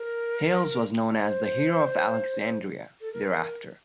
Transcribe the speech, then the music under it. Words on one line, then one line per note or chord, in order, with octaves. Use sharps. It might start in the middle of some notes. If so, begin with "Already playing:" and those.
Hales was known as the "Hero of Alexandria" thereafter.
Already playing: A#4
C5
A4
A#4